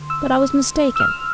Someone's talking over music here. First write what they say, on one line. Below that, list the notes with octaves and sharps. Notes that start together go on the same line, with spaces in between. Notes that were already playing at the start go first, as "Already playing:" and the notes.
But I was mistaken.
Already playing: D3 C6
E6
E6
F6